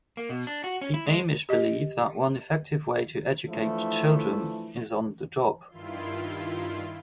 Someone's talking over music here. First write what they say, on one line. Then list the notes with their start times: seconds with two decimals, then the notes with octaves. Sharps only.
The Amish believe that one effective way to educate children is on the job.
0.17 A#3
0.29 B2
0.47 D4
0.64 F#4
0.81 C#4
0.94 E4
1.06 G#3
1.49 G4 D#5
3.48 E3 F3 A3 D4 E4 A4
5.69 G2 D#3 E4 F4 C6